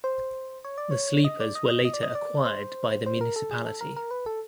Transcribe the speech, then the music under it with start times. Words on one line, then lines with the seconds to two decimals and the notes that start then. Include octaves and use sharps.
The sleepers were later acquired by the Municipality.
0.04 C5
0.65 C#5
0.78 D5
0.91 C#5
1.25 D#5
1.40 D5
1.55 D#5
1.70 D#5
1.85 D#5
1.94 D5
2.03 D#5
2.15 D5
2.45 C5
3.06 C5
3.21 A#4
3.36 A4
3.51 G#4
3.66 A4
3.81 A#4
3.96 A#4
4.11 B4
4.26 A4